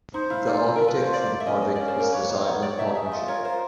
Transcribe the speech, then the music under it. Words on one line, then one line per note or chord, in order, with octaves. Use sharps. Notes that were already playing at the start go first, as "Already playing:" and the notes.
The architect for the project was the Zeidler Partnership.
D#4 C5
E4 F5
D#4 F4
E4 A4
F4 A#4
B4
C5 C#5
A#3 D5
A#3
E5
C#4 D#5
A#3 D#5
C#4 D5
C5
A#3 A#4
B4 C#5
D#4 C5
B3 C#5
C#5 D5
D#4 E5
G#4 E5
F4 D#5
A#4 C#5
F4 C5